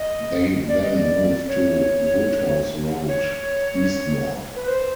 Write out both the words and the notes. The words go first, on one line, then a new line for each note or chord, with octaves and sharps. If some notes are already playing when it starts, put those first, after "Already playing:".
They then moved to Woodhouse Road, Eastmoor.
Already playing: D#5
D5
D#5
D5
C#5
C#5
B4
C5